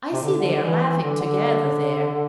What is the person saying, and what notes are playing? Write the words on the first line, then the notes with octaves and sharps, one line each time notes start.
I see they are laughing together there.
C3
D3
D3
E3
E3
D3
D3